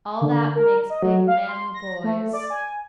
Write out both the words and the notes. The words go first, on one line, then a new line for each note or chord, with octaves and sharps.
All that makes big, manly boys.
D3
A#4
D#5
F#3
F5
C6
A#6
A3
D5
G#5